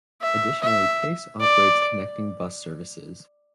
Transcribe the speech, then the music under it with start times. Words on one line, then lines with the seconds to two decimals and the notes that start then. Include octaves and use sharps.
Additionally, Pace operates connecting bus services.
0.22 E5
0.62 E5
1.41 D5